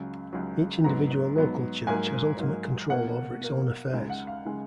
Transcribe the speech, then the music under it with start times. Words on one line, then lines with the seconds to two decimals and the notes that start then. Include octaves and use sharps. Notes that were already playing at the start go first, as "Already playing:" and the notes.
Each individual local church has ultimate control over its own affairs.
Already playing: C#2 C#3 F#3
0.33 C#2 C#3 F#3
0.84 G#2 F#3 B3 A#5
1.35 G#2 F#3 B3
1.87 G#2 F#3 A#3 G#5
2.39 G#2 F#3 A#3
2.90 B2 A#3 F#5
3.41 B2 A#3
3.93 C#2 C#3 G#3
4.10 F#5
4.27 F5
4.45 C#3 G#3